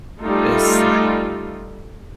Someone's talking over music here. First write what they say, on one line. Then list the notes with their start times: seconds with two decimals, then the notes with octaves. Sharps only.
it's like
0.21 G3 A3 D#4 F4 A4